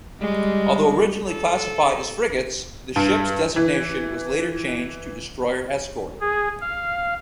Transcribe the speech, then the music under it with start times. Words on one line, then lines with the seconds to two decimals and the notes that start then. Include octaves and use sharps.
Although originally classified as frigates, the ships' designation was later changed to destroyer escort.
0.20 G3 G#3
1.28 A4
2.96 G2
3.56 E3
6.21 G#4
6.61 F5